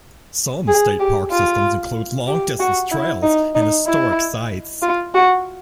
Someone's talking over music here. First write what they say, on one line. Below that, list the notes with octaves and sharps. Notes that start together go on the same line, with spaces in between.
Some state park systems include long-distance trails and historic sites.
G#4
G4
F4
G4
F#4
E4
D#4
D#4
E4
F4
F#4